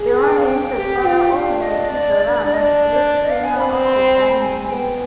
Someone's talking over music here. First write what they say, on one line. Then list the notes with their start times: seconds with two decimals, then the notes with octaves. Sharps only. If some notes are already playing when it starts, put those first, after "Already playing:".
Bellamy is the father of Matthew Bellamy, lead singer of the band Muse.
Already playing: G#4
0.22 G#5
0.29 G5
0.38 F5
0.46 G5
0.77 G4
1.06 F4
1.33 D4 F5
1.61 D#5
1.89 D5
2.46 D4 D5
2.54 D#5
2.62 D5
2.95 C5
3.02 D5
3.23 D#5
3.30 F5
3.44 G#5
3.57 C4 B5
3.86 C6
3.94 B5
4.02 C6
4.14 B5
4.22 G#5
4.30 B5
4.42 G#5
4.70 B3 G5